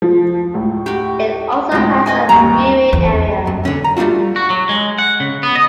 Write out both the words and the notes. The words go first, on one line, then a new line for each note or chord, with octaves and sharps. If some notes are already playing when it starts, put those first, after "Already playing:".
It also has a viewing area.
F3
C#2 A2
F#4 G4
C#2 A2 G#3 C4
B4 D#5 G#5
G1 D#2 A#5
E2
F#2
D3 C#4
A#5
G3 A3 D4 F4 F#4
F#4
F#3
G#3
F#5
C#3
B3
D#5